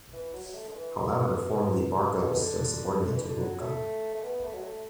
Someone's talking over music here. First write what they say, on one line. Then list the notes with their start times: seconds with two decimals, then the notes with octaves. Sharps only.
However, formally Barga was still subordinate to Lucca.
0.13 E3
0.33 F#3
0.45 F#3
0.54 A3
0.68 D3
0.74 E3
1.08 A2
1.22 B2
2.18 B2
2.29 B2
2.38 D3
3.00 D3
3.11 E3
3.20 D3
3.41 F#3
3.61 A3
4.15 A3
4.23 B3
4.43 A3
4.54 F#3
4.64 A3